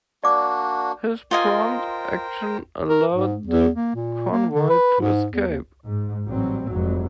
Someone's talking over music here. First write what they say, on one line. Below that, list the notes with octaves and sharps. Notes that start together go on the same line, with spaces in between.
His prompt action allowed the convoy to escape.
A#3 D4 F#4 D5 D6
F4 A#4 C5 D#5 G5 G#5
A#4
G#2
E2
A#3
A#2
A#3
D3
B4
G#2
E2
D#2
G#2
A1 F#3 G3 C4
F1 F2 G#2 F#3